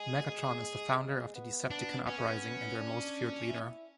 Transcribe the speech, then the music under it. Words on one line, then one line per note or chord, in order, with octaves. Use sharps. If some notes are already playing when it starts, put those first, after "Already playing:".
Megatron is the founder of the Decepticon uprising and their most feared leader.
Already playing: G#3 G#4
B3
D4
B3 C#4
A3
B3
D4
E4